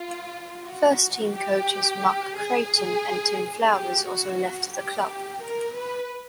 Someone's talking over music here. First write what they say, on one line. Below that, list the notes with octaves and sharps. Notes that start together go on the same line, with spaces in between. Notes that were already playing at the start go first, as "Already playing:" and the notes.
First team coaches Mark Creighton and Tim Flowers also left the club.
Already playing: F4
F#4
G4
G#4
G4
F#4
G4
A#4
B4